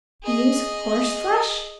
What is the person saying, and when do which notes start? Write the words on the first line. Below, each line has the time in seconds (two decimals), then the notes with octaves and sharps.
Use horseflesh?
0.23 G#4 D#5